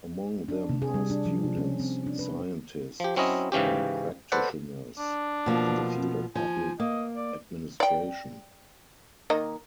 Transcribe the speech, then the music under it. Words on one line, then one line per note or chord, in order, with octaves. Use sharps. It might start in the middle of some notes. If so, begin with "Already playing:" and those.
Among them are students, scientists and practitioners in the field of public administration.
D4
C3
G#4
G3
D4
F3
C3
C#4
C4
D4
B4
F3 G4
F#3 C4 C#4 E4 D#5
G#2 C#3 E3 C#4 G4
A4 B4 C5 D5 F#5
D4
B2 F3 A#3
F3 G#5
A#3 D#5
D5
D5 G5
D#3 A#3 D#5